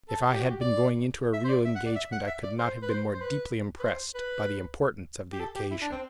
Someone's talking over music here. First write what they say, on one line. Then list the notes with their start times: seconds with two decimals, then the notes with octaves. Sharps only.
If I had been going into a real engagement I could not have been more deeply impressed by the importance of the occasion.
0.09 A4
0.31 G4
0.40 F#4
0.51 G4
0.61 D5
1.33 E5
1.45 C5
1.49 D5
1.65 E5
1.75 F#5
1.86 D5
1.96 E5
2.12 F#5
2.27 E5
2.43 D5
2.59 C5
2.82 B4
2.90 C5
3.14 C5
3.21 B4
3.79 B4
3.84 C5
4.15 B4
5.32 G4
5.40 A4
5.56 G4
5.71 E4
5.82 D4
5.92 C4